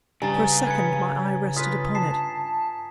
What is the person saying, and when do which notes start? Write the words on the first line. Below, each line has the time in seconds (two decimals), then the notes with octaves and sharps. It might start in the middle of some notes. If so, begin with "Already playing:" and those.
For a second my eye rested upon it.
0.22 G2 C#3 G#5 A#5 A6
0.67 B4 G#6 C#7
1.56 F4 B4 D#6 B6
1.95 A5 C7